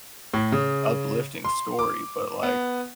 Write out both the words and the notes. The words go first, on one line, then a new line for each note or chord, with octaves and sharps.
uplifting story, but, like,
A2
C#3
C6
D6
B3